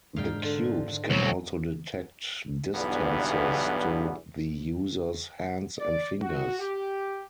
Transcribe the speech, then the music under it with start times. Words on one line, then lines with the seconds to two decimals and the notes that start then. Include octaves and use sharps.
The cubes can also detect distances to the user's hands and fingers.
0.16 G#2 D4 A#4 F5 G5
0.42 D3 F4
1.10 D2 B2 F#3 G3 C#5
2.74 B1 E2 G2 D3 E3 B3
5.78 D5
6.22 F#4
6.59 G4